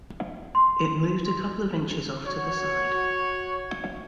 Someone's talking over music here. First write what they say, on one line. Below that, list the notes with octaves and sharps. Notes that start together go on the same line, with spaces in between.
It moved a couple of inches off to the side.
C6
F#4 C#5